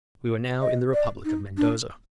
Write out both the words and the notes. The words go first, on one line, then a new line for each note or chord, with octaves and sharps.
We were now in the republic of Mendoza.
D#5
D5
D#4
D4